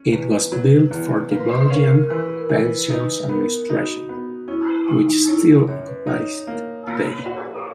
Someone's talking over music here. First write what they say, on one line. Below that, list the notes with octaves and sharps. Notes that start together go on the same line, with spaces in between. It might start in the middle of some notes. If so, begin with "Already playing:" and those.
It was built for the Belgian Pensions Administration, which still occupies it today.
Already playing: C#4
E2 B4
F#3
E2
A#3 B4
C#4 A#4
E3 B4
A#4
E3
B4
D#4 B4
B3 A#4
D#4 F#4
B3
C#4 E4
E3 D#4
C#4 E4
F#2 C#5
B4
D#4 C#5
A#3
A#2
F#4
C#5